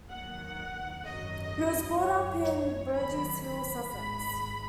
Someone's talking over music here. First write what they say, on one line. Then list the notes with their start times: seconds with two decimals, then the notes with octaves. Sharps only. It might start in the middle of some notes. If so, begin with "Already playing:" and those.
He was brought up in Burgess Hill, Sussex.
0.10 D#2 D#3 F#3 F#5
1.05 G#1 F#2 F#3 D#5
1.99 F#2 F#3 C#5
2.95 D#2 D#3 F#3 B5
3.43 B5
3.90 G#1 G#2 G#3 B5